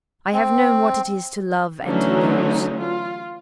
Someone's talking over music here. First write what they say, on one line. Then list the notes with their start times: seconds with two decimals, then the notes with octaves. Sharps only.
I have known what it is to love and to lose.
0.33 C4
1.83 D3 E3 F#3 A3 C#4 D#4
2.78 F4